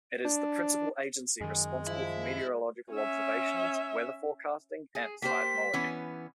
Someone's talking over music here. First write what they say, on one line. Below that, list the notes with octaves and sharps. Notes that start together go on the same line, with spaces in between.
It is the principal agency responsible for meteorological observations, weather forecasting and seismology.
D4
F#2 D#3 G#3 G#4
F3 E4
C#4 E5
G#4
A#3 G4 C5 B6
E3 B3 C#4